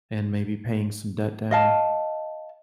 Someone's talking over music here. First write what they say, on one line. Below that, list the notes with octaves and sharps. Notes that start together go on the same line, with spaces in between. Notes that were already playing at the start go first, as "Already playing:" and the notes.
and maybe paying some debt down.
D#5 F5 A5